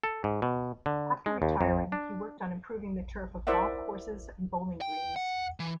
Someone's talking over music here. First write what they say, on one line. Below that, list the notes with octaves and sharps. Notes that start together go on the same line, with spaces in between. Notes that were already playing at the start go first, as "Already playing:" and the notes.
After retiring, he worked on improving the turf of golf courses and bowling greens.
A4
G#2
B2
D3
G#3
D#2
F2
D4
E4 A#4 C5 D5 E5 F#5
G5
F#5
E3